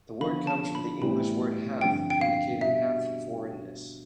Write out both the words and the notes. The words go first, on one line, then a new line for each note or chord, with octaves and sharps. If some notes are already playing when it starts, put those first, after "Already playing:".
The word comes from the English word "half" indicating half foreign-ness.
D3 F3 B3 F4 B5
A5
B5
A2 E3 G3 B3 E4 B5
G2 D3 F3 C4 G5
G5
F5
B2 G3 D4 F4 E5